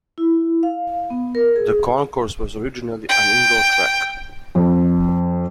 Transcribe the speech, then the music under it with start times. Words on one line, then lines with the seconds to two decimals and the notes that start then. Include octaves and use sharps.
The concourse was originally an indoor track.
0.18 E4
0.63 F5
1.10 B3
1.35 A#4
1.56 G#4
3.09 G5
4.55 F2